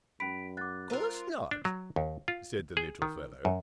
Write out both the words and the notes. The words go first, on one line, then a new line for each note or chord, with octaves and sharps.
"Course not!" said the little fellow.
F#2 C#4 B5 B6 D7
F#5 D6 F#6 A6
F4 A#4 C5 E6
D4
F#3
D#2
F4
G#4
D#3
F#2